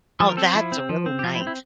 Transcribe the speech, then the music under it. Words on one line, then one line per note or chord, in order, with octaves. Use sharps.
Oh, that's really nice.
F3 A4
A#4
C4 A4
F3 E4
C4
F3
C4
G4
F3 F4
E4
C4
E4